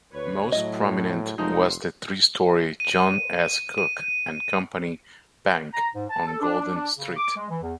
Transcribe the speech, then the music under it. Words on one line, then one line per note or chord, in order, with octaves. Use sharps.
Most prominent was the three-story John S. Cook and Company Bank on Golden Street.
D2 B4 C#5
A2 F#3 A3 D#5
F1 F3 G#3 D#4 C6
D#7
D#7
A#5
G#2
A5
A4
D4
D4
D4
C#3
D6
G#3
E3
E2